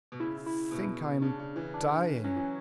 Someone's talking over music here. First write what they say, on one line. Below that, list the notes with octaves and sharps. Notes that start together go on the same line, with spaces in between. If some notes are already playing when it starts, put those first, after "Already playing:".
"I think I'm dying."
B2
C#3 E4
E4
B2
C#3 D4
C#3
E3
D4
F#3 C#4
E3